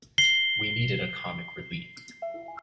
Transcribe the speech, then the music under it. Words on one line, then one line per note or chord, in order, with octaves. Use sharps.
We needed a comic relief.
C7 G7